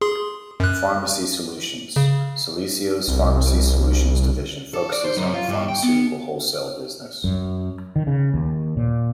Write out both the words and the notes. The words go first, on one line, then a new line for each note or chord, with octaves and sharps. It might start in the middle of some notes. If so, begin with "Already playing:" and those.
Pharmacy solutions: Celesio's Pharmacy Solutions division focuses on the pharmaceutical wholesale business.
G#4 C6
F#2 F#6
C#3
C2
A4
D5
C5
F#2
F4
G2
G5
B3
F#2
D#3
C#3
D#2
A#2